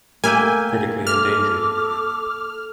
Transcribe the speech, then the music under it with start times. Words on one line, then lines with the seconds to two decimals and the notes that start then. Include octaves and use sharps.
Critically endangered.
0.24 A3 A#3 E5 G5 G#5
1.07 A4 D6 F6